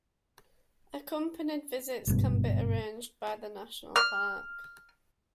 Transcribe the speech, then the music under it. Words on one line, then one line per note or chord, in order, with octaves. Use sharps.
Accompanied visits can be arranged by the national Park.
G#1 G2 B2
F6